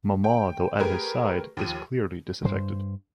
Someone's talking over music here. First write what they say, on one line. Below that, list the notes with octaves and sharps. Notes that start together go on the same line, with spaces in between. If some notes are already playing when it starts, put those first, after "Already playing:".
Mamah, though at his side, is clearly disaffected.
G5
A3 G4 G#4 A#4 B4
D#2 F3 D#7
G2 C5